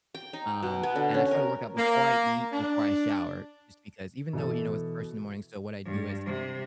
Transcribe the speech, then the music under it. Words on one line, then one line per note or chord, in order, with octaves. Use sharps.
um, and I try to work out before I eat, before I shower, just because even though, you know, it's first in the morning so what I do is
G5
D#4
B2
B3
D3
C#4
A#4
A#3
D4
B2 E3 A4
G2
C3